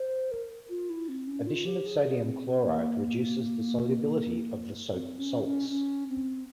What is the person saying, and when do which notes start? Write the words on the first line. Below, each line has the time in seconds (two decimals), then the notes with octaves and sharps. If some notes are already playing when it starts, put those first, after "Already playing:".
Addition of sodium chloride reduces the solubility of the soap salts.
Already playing: C5
0.31 A#4
0.69 F4
0.90 E4
1.09 C4
1.27 C#4
1.47 F4
1.66 G4
1.86 G#4
2.24 C4
2.63 C4
2.66 A#3
4.93 C4
5.19 C#4
5.45 C#4
5.70 C#4
6.09 C4